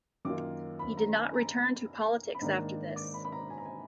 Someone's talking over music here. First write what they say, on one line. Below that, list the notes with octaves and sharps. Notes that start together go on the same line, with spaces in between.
He did not return to politics after this.
F#2 D#3 A#3 F4 D6
B5
A#5
G#5
A#5
B5
G#2 D#3 A#3 D4 A#5
D6
B5
B5
A#5
G#5
A#5
G#5